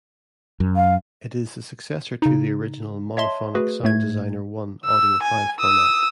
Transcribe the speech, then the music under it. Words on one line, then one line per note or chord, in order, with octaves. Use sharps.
It is the successor to the original monophonic Sound Designer I audio file format.
F#2
F5
C#3 D#4
C#5 D#5 E5 A5 C6
A3 F#4 G#4 B4
A2 A3 G#6
E6
G#5
D#6 E6